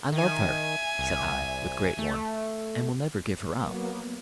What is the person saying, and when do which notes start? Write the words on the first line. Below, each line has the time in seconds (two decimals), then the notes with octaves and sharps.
"I love her," said I, with great warmth, "and will never give her up."
0.12 D#3 E5 G#5
0.99 C2
1.99 A3
3.57 F#3 A#3 B3